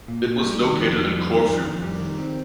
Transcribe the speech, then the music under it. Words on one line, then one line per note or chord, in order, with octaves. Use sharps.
It was located in Corfu.
A#2
A#2
G3
D#3
F2
F2
G3
D#3
F2
F2
G3
D#3
C4